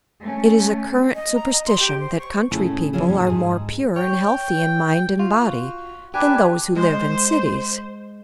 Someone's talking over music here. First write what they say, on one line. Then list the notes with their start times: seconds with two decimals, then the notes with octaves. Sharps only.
It is a current superstition that country people are more pure and healthy in mind and body than those who live in cities.
0.20 A3 C#4
1.15 D#5
1.35 A#5
1.52 D#5
1.66 C6
1.80 G4
2.00 C5
2.19 C#6
2.51 A2 C#3 A3 E4 G#4
2.93 C#3 F3 C#4 F4 G#4 A4
3.09 A2 A3
3.27 G#2 G#4
3.96 C#5 G5
5.19 F4 F#4
6.14 D4 G4 B4 G#5
6.76 G#3 C5